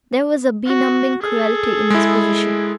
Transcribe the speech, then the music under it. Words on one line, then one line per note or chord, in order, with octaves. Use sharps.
There was a benumbing cruelty in his position.
F#4
G#4 A4
G#3 E4